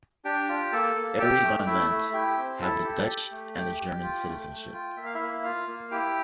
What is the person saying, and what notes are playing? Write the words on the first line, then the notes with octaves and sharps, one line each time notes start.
Arie van Lent have the Dutch and the German citizenship.
D4 G4 G5
F4
A#3 A4 A5
A#3
G4 G5
A3
A3 E4 E5
A3
E4 G4 G5
C4
E4 A4 A5
G4
G4
A3
G4 G5
G4
F4
A3
A3
F4
A#3 E5
F5
E4 E5
A#3
F4 F5
A#3
E4 G4 G5